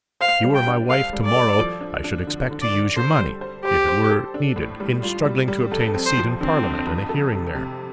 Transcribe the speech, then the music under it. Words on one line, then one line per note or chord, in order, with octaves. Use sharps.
If you were my wife to-morrow I should expect to use your money, if it were needed, in struggling to obtain a seat in Parliament and a hearing there.
C5 F5
G3
G5
D4
A4 F5
G3
D5
A4
F3
D4
D4
D3
D3
D5
D3
A4 C5
G3
C5
G4 C5
C5
A4
D4
A2
G3
G3 F4
G3
G3
F2 A4
C4
C5
F3
D3 C4
F2
F2
A4
C3
C3